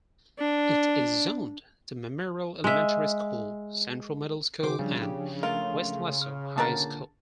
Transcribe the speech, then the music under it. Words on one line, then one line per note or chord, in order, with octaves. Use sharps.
It is zoned to Memorial Elementary School, Central Middle School, and Weslaco High School.
D4
G#3 E5
B1 C#3 F#4 G#4 C5 D6
C#3 F3 G3 D4
G4
C#2 A3 F4 A#4
F6
A#2 D3 A#4 F#5 A5